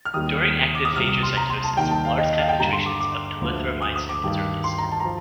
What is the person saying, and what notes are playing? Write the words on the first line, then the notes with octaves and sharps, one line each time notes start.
During active phagocytosis, large concentrations of telithromycin is released.
F6
D#2 D#3 G3 D#6
D6
D#6
C2 C3 G3 F6
D#6
C6
A#5
C6
A5
D#2 D#3 G3 G5
A5
F5
D#5
F5
G5
G2 D3 G3 A#5
C6
D6
D6
D2 D3 F3 A3
D#6
D#6
D6
G2 D#3 G3
C6
A#5
A5
A#5
F3